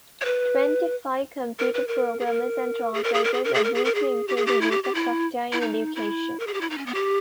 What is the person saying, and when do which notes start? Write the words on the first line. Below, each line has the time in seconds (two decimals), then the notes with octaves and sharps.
Twenty-five computer programmers and translators agreed to improve the use of software in education.
0.21 C#5
0.25 B4
1.59 A#4
1.74 B4
1.88 A#4
2.20 G#4
2.26 A#4
2.94 G#4
3.04 A#4
3.14 G#4
3.24 A#4
3.33 G#4
3.44 A#4
3.54 G#4
3.64 A#4
3.75 G#4
3.85 A#4
3.95 G#4
4.28 G4
4.37 G#4
4.46 G4
4.61 E4
4.71 G4
4.84 G4
4.95 E4
5.52 E4
5.61 D#4
5.95 E4
6.40 A#4
6.47 G#4
6.54 G4
6.61 E4
6.70 D#4
6.78 C#4
6.86 B3
6.95 G4